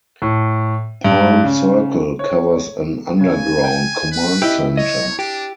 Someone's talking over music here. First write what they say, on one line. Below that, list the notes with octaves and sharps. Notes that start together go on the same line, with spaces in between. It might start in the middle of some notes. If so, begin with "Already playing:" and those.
Palm Circle covers an underground command center.
A2
G2
C#3
C#5
C#3 G#5
G5
B4
E4 G4 D#5
C#5 D#5
D4 G4